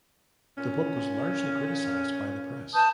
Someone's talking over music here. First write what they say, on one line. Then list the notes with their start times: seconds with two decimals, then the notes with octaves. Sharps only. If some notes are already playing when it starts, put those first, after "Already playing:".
The book was largely criticized by the press.
0.57 A#2 C#4
2.75 B4 A5 D#6 G6